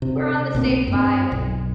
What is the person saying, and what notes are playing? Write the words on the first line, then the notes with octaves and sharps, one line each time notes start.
We're on the same vibe.
C3
B1 A#2 C4
G2 C4
B1